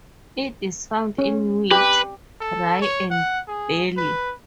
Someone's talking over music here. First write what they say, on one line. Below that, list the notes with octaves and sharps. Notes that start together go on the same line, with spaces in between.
It is found in wheat, rye, and barley.
C#4
G4 B4
A4
C#5
F#5
G#4
B4